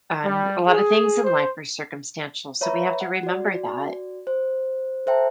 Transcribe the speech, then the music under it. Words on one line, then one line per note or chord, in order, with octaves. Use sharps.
Um, a lot of things in life are circumstantial, so we have to remember that.
G3
G#4
C5
B4 C#5 E5 A#5 B5
F#5
F#4 D5
C5
A4 C5 E5 G5 A5 A#5